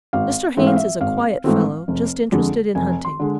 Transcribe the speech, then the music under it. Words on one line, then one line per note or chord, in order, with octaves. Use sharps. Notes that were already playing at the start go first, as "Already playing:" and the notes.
Mr. Haynes is a quiet fellow, just interested in hunting.
G#1 F5
G#2 E3 A3 C4 E5
F5
E5
G#1 F5
G#2 E3 A3 C4
F1
F2 D3 G#3
F1 G#5
C6
D3 G#3